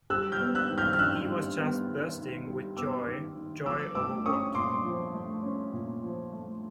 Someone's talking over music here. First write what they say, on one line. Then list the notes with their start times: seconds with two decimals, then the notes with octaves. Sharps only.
He was just bursting with joy, joy over what.
0.10 G3 E6 F#6
0.32 F6 G6
0.40 B3
0.55 E6 F#6
0.69 D#3
0.78 F6 G6
0.93 F6
0.99 D#3 E6 F#6
1.29 G3
1.58 B3
1.88 D#3
2.17 D#3
2.47 G3
2.76 B3 D6 E6
3.06 D#3
3.37 D#3
3.66 F3 D6 E6
3.95 A3 D6 E6
4.25 C#4 C#6 D#6
4.55 A#2 C6 D6
4.85 F3
5.14 A3
5.43 C#4
5.73 A#2
6.03 F3
6.33 A3